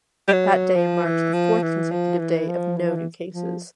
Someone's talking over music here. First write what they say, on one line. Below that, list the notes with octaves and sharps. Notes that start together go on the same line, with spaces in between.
That day marked the fourth consecutive day of no new cases.
G3
F#3
F3
E3
F3
E3
F3
E3
F3
E3
F3
E3
F3